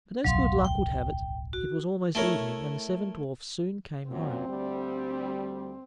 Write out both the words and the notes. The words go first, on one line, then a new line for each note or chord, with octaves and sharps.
But as good luck would have it, it was almost evening, and the seven dwarfs soon came home.
D1 B1 F2 F#3 F5 C6
G5
F#4
A3 E4 A#4 C#5
F#2 A#2 C4
D2 G3